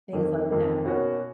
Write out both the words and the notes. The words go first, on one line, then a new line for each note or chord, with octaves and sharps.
things like that.
F2 D#3 A#3
F2 D#3 A#3
B2 A#3 C#4 F#4